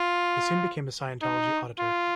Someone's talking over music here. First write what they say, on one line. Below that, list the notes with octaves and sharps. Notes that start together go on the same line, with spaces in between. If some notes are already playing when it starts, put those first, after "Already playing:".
He soon became a Scientology auditor.
Already playing: F4
D#4
F4